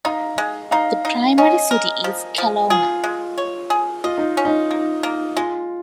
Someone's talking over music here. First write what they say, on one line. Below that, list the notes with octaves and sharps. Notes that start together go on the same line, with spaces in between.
The primary city is Kelowna.
D#4 F5 A#5
G#3
D#4 F5 A#5
D#4
C#4 D#5 G#5
A#4
F3
F3
F4 G#4
G#3
C#5
G#4
F4 D#5
D#4
C#4
D#4
A#3
A#3
G#3 F4